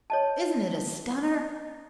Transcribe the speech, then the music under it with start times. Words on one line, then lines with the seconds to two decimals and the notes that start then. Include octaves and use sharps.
Isn't it a stunner?
0.10 C#5 D#5 A5